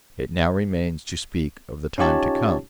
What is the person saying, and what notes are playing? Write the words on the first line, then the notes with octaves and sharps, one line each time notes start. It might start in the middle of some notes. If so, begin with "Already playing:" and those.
It now remains to speak of the time to come.
C#4 D#4 F4 G4 C#5 A5